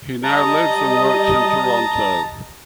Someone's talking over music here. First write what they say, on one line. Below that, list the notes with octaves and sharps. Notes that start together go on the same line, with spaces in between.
He now lives and works in Toronto.
G3 D#5 A5 A#5